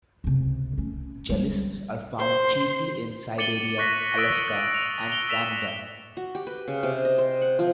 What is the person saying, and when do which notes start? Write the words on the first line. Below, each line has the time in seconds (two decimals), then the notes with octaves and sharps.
Gelisols are found chiefly in Siberia, Alaska and Canada.
0.24 C#2 C3
0.78 A3 C#4
1.30 G3 G#3
2.19 C5 C6
3.38 D6 A6 C#7 D#7 F#7 G7
3.78 C#6 F#6 A#6 B6
4.17 C#6 D#6 E6 A6 B6 D7
4.74 F7
5.10 F7 G7
5.29 E6 B6 E7 F7
6.17 F#4
6.35 G4
6.47 B4
6.68 C#3
6.83 C3
7.05 D#5
7.18 C5
7.41 F#5
7.59 F3